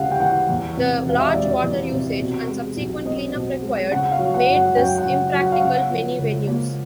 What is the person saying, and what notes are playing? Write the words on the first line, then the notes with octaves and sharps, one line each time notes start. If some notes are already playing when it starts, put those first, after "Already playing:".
The large water usage and subsequent cleanup required made this impractical many venues.
Already playing: D2 C#3 G3 F5 F#5
G5
E3 F#5
E2
C3
E1 F5
E5
D#5
E1 D5
E2
C3
B2
G#3
B1
C4 D#5
B2
G#3
C#3 F#5
F5
F#3
F#5
F#2
F#5
F#2 G5
F#5
C#3
F#3
F#5
F5
C#3 F#5
F3
C#2
A#3